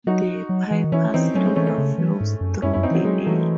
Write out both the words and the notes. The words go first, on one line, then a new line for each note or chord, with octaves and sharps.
The Pipers River flows through the area.
F#3 D#4 F#4
F#3
E3
D#3
E3 C#4 E4
E3 C4 D#4
F#3 A3 C#4
G#3 C4
E3 A3 C#4
A3 C#4
C#3
E3
G#2
F#2
F#2 C#4 E4
F#2 C#4 E4
C4 D#4
E3 F#3
F#3 G#3
E3 F#3 A3